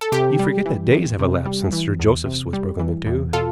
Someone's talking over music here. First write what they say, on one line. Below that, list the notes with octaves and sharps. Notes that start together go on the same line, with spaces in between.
"You forget that days have elapsed since Sir Joseph's was broken into."
A4
C3 G4
G3
E3
E2
C3
G3
E3
E2
C3
G3
E3
E2
B2 F4 A4